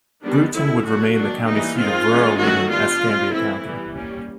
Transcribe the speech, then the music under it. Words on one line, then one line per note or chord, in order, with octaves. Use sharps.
Brewton would remain the county seat of rural-leaning Escambia County.
D#3 G3 B3 D4
D3 F3 A3 C#4 E4
D3 F#3 A#3 D4 F#4
D#3 F#3 A#3 D4
E3 G3 A#3 D#4
D#3 G#3 C4 F4
E3 G#3 C#4
D#3 F#3 A3 C#4 F#4
G3 B3 D4 F4
G3 C4
E3 A3 C4 E4
E3 G3 B3
G3 A#3 C#4